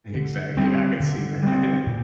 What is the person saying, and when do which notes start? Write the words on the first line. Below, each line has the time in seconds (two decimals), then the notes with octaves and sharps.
Exactly I could see that.
0.15 D3
0.57 G3 C4
1.00 D3
1.43 G3 C4
1.86 A#2